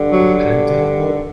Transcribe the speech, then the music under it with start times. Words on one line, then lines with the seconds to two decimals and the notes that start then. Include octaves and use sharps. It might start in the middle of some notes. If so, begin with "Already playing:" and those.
repentant about it
Already playing: G2 D3
0.11 F#3